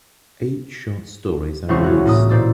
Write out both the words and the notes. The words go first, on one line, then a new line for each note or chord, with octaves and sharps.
Eight short stories are released.
E1 C#2 C4 E4 C5 C#6
F#4 C#5
A2 A#3 D#6
A#2 C5 D5 E6